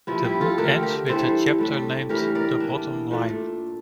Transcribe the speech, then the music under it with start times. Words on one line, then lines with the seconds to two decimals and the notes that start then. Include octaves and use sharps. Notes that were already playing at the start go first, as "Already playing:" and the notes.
The book ends with a chapter named "The bottom line".
0.07 G2 F3 A#3 E4
0.25 E4 G4
0.41 F4 A4
0.58 D3 A3 D4 G4 A#4
0.83 G4 A#4
1.08 G2 E3 G3 C4 A4 C5
1.58 A2 G3 D4
2.09 A2 E3 G3 G4 A#4
2.35 A#4 D5
2.60 E3 A#3 D4
3.11 A#2 A3 D4